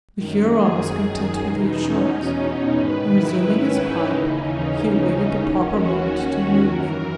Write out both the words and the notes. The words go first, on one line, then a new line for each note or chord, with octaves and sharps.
The Huron was content with the assurance, and, resuming his pipe, he awaited the proper moment to move.
F#2 D#3
G#4
E2 B2 D#4
C#4
D#4
G#2 D#3 B4
E4
C#4
D#4
D#2 C#3 E3
C#4
C#4
D#2 D#3
F#4
F#2 E3 A#4